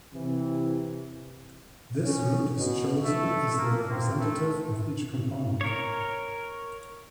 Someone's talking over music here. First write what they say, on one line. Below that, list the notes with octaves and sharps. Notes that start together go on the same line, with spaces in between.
This root is chosen as the representative of each component.
C3 E3
C#4
B2
A3
A#3
C4
A3
A#4 C#5